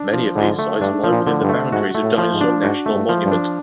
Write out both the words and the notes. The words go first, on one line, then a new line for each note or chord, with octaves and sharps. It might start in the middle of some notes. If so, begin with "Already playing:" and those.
Many of these sites lie within the boundaries of Dinosaur National Monument.
Already playing: D4
F3
G#2 D3
A3
G2 D4
F3
A#2
D3
G2
A3
G#2 F#4
A3
A2
F3
G#2
D4
G#2 F#4
A3
G2
F3
G2
D4